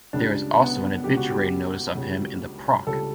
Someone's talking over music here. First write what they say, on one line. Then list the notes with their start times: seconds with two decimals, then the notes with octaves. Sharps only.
There is also an obituary notice of him in the Proc.
0.13 C#2 C#3 G3 D4
0.59 B3
1.04 C#2 C#3 G3 G4
1.17 F#4
1.30 G4
1.95 C#2 C#3 G3
2.87 C#2 C#3 G3 A4